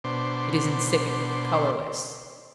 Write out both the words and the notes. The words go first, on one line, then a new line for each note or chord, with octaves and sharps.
It is insipid, colorless.
B2 D4 C5